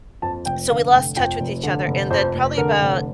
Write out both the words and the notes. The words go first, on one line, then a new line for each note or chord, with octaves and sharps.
So, we lost touch with each other and then probably about,
F2 A5
F1 G5
D3 F5
F1 G5
F2 G5
F1
D3
F1
F2 C5
F1
D3 A#4
F1